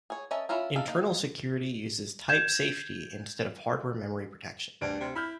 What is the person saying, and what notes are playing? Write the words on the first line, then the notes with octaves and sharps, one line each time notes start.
Internal security uses type safety instead of hardware memory protection.
G#4 C#5
C#4 A#4 D#5 E5 A5
C#4 E4 F4 A#4
D#4 A4 F5
A#3 D#4
G6 G#6 E7
D2 G2 D4 D7
C3
E4 B5 F6 G6